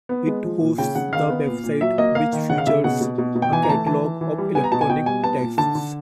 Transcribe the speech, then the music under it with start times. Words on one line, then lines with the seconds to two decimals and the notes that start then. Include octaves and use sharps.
It hosts the website which features a catalogue of electronic texts.
0.09 B3
0.27 G#3
0.44 F3
0.61 A#2
0.78 C#3 G5
0.95 C#3 F#5
1.13 D#3 F5
1.30 B3
1.47 A#2
1.64 A#2
1.81 F#3 E5
1.98 A#3 D#5
2.15 A#3 F5
2.33 D#3
2.50 C#3 F#5
2.58 F5
2.67 C#3 E5
2.84 B2 F#5
3.01 B2
3.18 B2
3.35 B2
3.42 G5
3.52 E3 G#5
3.63 A#5
3.69 A3 A5
3.87 E3 A5
4.03 E3
4.21 E3
4.38 G3
4.55 B3 G#5
4.64 A#5
4.72 B2 A5
4.81 G#5
4.90 B2 G5
5.06 G3 G#5
5.23 B3 A5
5.41 A#2
5.58 D3 A5
5.75 D3